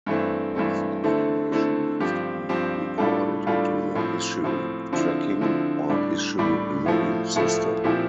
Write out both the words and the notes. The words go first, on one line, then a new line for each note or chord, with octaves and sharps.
This information needs to be recorded into the issue tracking or issue logging system.
G2 E3 A3 C4
G2 E3 A3 C4
D3 A3 C4 E4 A4
D3 A3 C4 E4 A4
G2 F3 C4 G4
G2 F3 C4 G4
A2 G3 D4 F4 A4
A2 G3 D4 F4 A4
A2 F3 C4
A2 F3 C4
D3 F3 C4 E4
D3 F3 C4 E4
A2 G3 D4
A2 G3 D4
A2 F3 A3 E4
A2 F3 A3 E4
A#2 F3 C4 E4 G4